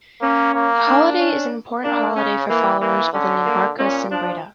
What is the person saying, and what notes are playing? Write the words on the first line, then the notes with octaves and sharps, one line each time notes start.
The holiday is an important holiday for followers of the Nimbarka sampradaya.
A#3 C#4
A#3
D4
C#4
A#3 D4
C#3 C#4
E3 A#3
E3 A#3
D3 C#4
A#3
A#2 C#4
F3 D4